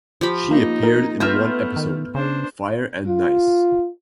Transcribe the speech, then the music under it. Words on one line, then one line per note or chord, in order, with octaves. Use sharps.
She appeared in one episode, "Fire and Nice".
F3 G4 B5
A#3 D#4
A#4
A3 B3 F4 B4 E5 A#5 F6 G6
D#3
C#3 D4 C5
F4